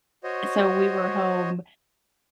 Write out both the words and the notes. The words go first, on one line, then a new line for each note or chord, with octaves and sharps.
so we were home
F#4 C5 C#5 D#5